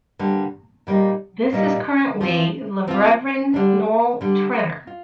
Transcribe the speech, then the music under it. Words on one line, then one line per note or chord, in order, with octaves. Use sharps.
This is currently the Reverend Noel Treanor.
D3 G3 A#3
A#2 G3 A#3 D#4
A#2 G3 A#3 D#4
F3 C4 F4
F3 C4 F4
D3 G3 D4
D3 G3 D4
F4